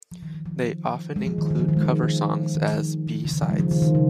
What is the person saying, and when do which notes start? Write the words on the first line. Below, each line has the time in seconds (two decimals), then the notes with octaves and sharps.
They often include cover songs as B-sides.
0.12 F3
0.22 D#3
0.34 D#3
0.46 F3
1.16 G#3
1.27 F3
1.38 D#3
1.50 D#3
1.59 F3
1.69 D#3
1.77 G#3
1.85 F3
2.03 D#3
2.55 D#3
2.73 F3
3.07 F3
3.25 C#3
3.33 D#3
3.42 F3
3.51 G#3
3.60 F3
3.71 D#3
3.82 D#3
3.95 C#3